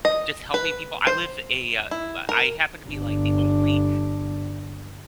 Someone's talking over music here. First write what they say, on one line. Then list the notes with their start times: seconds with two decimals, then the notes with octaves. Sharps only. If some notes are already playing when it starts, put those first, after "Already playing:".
just helping people. I live a, uh, b I happen to be like the only
0.05 D#5
0.54 B4
1.07 C5
1.91 E4
2.29 A#4
2.87 G1 D4